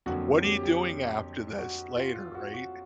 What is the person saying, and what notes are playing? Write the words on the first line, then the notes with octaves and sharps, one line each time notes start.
What are you doing after this later?" Right?
F2 D3 F#3 A#3 F#4
G4
G4
F#4
F4
F#4
F#4